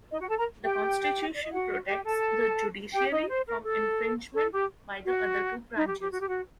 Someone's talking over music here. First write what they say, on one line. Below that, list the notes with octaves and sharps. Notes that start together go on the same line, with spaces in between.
The constitution protects the judiciary from infringement by the other two branches.
D#4 D#5
F#4 F#5
A4 A5
A#4 A#5
G4 G5
D5
D#5
F#4 F#5
G4 G5
A4 A5
G4 G5
D#4 D#5
C5
A#4
A4
A4
G4
F#4
D#4
G4
G4
F#4
G4
F#4